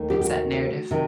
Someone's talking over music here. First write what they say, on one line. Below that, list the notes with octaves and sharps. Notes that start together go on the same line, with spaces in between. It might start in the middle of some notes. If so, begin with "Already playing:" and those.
Fits that narrative.
Already playing: D#2 D#3 A3
G4
G4
F#4
C3 D#3